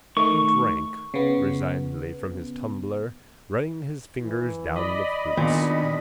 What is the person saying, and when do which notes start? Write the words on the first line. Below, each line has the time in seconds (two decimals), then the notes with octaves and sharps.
He drank resignedly from his tumbler, running his fingers down the flutes.
0.17 D#3 A3 C#6
1.14 C#3 B3
4.22 E3
4.76 D5 D#5 B5
5.37 A#2 D#3 B3 D4